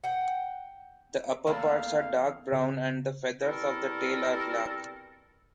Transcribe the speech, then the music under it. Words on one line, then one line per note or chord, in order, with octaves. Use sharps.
The upperparts are dark brown and the feathers of the tail are black.
F#5 G5
E2 A3 A#3 F5
C#3
B2 G3 C4 E4 A4 A#4